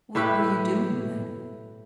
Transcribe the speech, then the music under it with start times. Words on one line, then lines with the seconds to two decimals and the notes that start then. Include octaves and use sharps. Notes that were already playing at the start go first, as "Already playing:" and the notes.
"What were you doing, then?"
0.15 A2 E4 G4 B4